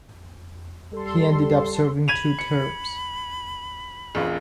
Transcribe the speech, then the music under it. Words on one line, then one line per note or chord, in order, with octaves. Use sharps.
He ended up serving two terms.
G3 A4 C6
B5 G#6 D#7 F7
C#7
E1 A1 F4